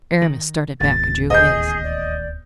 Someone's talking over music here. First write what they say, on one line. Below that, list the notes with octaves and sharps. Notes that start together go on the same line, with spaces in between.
Aramis started back and drew his.
D#3
D1 G#1 B3 A6
A1 D#2 C#3 G#4 D#5 G6
D5